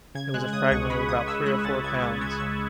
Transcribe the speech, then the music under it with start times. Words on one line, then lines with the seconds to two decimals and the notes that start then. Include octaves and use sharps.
It was a fragment of about three or four pounds.
0.15 C#3 G#6
0.34 G#3 F#6
0.53 C#3 D#6
0.71 C#2 C#6
0.90 G#3 B5
1.08 C#2 D#6
1.27 C#2 E6
1.46 G#3 F#6
1.65 C#2 A6
1.84 C#2 G#6
2.02 C#2 A6
2.21 G#3 G#6
2.40 C#3 E6